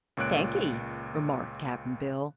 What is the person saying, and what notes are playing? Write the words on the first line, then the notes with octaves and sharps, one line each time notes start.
"Thank'e," remarked Cap'n Bill.
C#2 A#2 C#5 F#6 D7